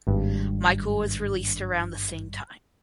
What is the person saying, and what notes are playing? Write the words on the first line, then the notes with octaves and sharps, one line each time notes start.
Michael was released around the same time.
G#1 G2